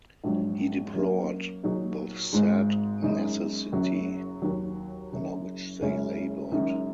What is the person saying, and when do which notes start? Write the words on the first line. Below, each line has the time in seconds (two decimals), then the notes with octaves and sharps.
He deplored the sad necessity under which they labored.
0.24 A#1 G#2 F#3
0.93 F#2 F#3 A#3
1.63 A#2 F#3 D#4 G#4
2.33 G#1 G#2 G#3
3.02 F#2 C#3 G#3 D#4
3.72 F#1 F#2 F#3
4.42 D#2 D#3 F#3
5.12 F#1 F#2 C#3
5.81 F#1 F#2 C#3 G#3 C#4
6.51 F#1 F#2 D#3 G#3